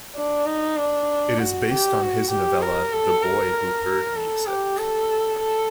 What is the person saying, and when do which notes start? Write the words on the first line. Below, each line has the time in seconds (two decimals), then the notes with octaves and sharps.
It is based on his novella "The Boy Who Heard Music".
0.16 D4
0.46 D#4
0.77 D4
1.39 F#4
1.70 G4
2.01 F#4
2.31 G4
2.62 A#4
2.93 A4
3.23 A#4
4.16 A4
4.46 G4
4.78 A4
5.40 A4